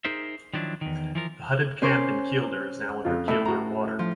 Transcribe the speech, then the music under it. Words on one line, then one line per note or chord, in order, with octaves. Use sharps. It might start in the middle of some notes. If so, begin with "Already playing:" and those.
The hutted camp in Kielder is now under Kielder Water.
D#4 G#4 A#4 C5 E5
D#3 F3 F#3 D4 E4
E2 D#3
E3 F3 A#4
C#4 A#4 C5 C#6 D6
F2 F4
A2 A4 E5
F#4 A#5
F3